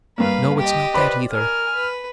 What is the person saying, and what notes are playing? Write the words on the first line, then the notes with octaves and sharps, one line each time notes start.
No, it's not that either.
G2 A#3 B4 F5
G4 D#5
B4 C5 D5 B5
A#4 G#5 F6
B4